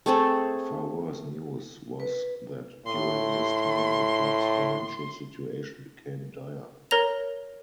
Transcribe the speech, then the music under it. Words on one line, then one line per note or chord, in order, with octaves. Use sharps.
Far worse news was that during this time the club's financial situation became dire.
A3 C4 G#4 A4
B4
A2 C6
A#4 C#5 A#5 A#6 F7